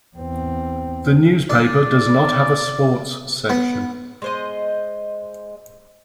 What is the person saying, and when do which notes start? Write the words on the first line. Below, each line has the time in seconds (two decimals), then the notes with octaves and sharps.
The newspaper does not have a sports section.
0.17 E2 C4
1.50 D4 D5
3.49 B3
4.22 G#3 C5 D#5